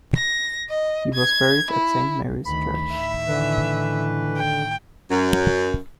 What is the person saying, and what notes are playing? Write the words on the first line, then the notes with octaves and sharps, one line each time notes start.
He was buried at Saint Mary's Church.
A#6
D#5
G#6
E4
D2 D#3 B5
A2 D#3 E5
D3 E3 B4
G5
F#2